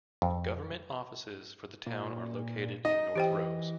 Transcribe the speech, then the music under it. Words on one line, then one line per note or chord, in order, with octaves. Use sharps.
Government offices for the town are located in North Rose.
F2
A#2
D#4 D#5
E3 G4 C5 G5